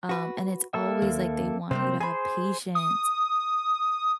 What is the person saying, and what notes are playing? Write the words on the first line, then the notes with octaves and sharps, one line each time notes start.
um, and it's always like they want you to have patience,
F#4 B4
A#3 A4 E5
D#2
C3 G3 A#3 C4 C5
G#4 C5 G#5 B5
D#6